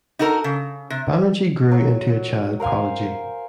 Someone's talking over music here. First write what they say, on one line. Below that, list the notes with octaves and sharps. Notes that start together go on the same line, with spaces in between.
Banerjee grew into a child prodigy.
D#4 F#4 A4 A#4
C#3
C3
F#3
A#4 C5 F5 G#5